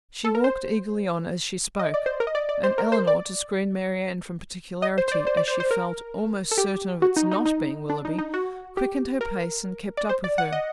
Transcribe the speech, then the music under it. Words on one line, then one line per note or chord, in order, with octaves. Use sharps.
She walked eagerly on as she spoke; and Elinor, to screen Marianne from particularity, as she felt almost certain of its not being Willoughby, quickened her pace and kept up with her.
A4
A#4
C5
D#5
D5
C5
A#4
D#5
D5
D5
C5
A#4
C5
D5
D#5
C5
C5
D5
C5
D5
C5
C5
A#4
A4
G4
F#4
D#4
D#4
D#4
D4
D#4
D#4
F#4
G4
A#4
D5
C5
D5
F#5
D#5